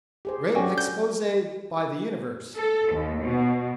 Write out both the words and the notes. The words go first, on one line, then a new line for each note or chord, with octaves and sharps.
Great Expose by the 'Universe'!
G4 G#4 C5
D3 F#3 C#4 F#4 G4 G5 G#5
G6
A4
D#2
B2